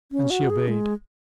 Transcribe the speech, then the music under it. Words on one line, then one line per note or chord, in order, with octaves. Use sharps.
And she obeyed.
C#4
F#4
G#4
G#3